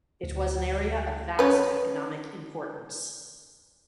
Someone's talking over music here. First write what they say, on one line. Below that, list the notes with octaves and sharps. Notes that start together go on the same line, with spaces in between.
It was an area of vast economic importance.
D2
C#4 B4